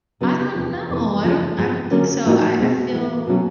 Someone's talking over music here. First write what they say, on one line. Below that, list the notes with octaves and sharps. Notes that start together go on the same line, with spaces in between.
I don't know, I don't I don't think so. I I feel
C#3 F#3 B3 D4
E2 C3 F3
F2 C3 E3
D2 C#3 F3
G#2 F3 G#3
D3 F#3 A#3 C#4
A2 F3 A#3 D#4 F#4
B2 G#3 C4
A2 E3 A3
B2 F#3 A3 C#4 F#4